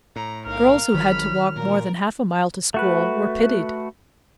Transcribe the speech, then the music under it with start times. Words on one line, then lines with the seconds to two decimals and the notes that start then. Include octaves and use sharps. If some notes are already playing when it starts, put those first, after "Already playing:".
Girls who had to walk more than half a mile to school were pitied.
0.16 A2 A#5
0.46 B1 A#4 F5 F6
0.94 G#1 D#3 F#3 B5
1.56 A#2 A#4
2.74 A3 F#4 B4